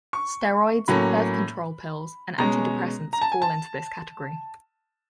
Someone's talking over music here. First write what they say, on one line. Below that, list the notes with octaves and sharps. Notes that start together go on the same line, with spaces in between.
Steroids, birth control pills, and antidepressants fall into this category.
C#6
A2 F#3 A#3 C#4 B5
B2 G#3 C#4 A#5
A#5
A5
G#5
A5